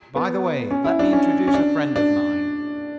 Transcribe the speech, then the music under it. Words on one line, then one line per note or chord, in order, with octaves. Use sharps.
By the way, let me introduce a friend of mine.
B3
C#4
E4
D4
C#4
C#4
D4
D4